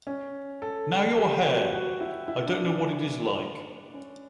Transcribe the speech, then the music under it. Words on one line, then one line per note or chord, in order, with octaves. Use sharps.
Now your hair, I don’t know what it is like!
C#4
A4
G4
F#4
F#4
E4
E4
D4
D4
C#4